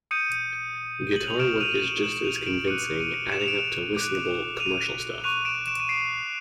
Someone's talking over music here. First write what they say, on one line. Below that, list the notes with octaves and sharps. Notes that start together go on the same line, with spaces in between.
Guitar work is just as convincing, adding up to listenable, commercial stuff.
D#6 G6 C#7 D#7
F#7
F7
C#6 F6 D7 E7
D#7 F7
E7 F#7
E7 F#7
D#7 F7
D7 E7
D6 F#6 C#7 D#7
C#7 D#7
E7
F7
D7 E7
D6 F#6
D#7 F7
C#6 F#6 D#7 F7
D7 E7
D7 E7
D#7
C7 D7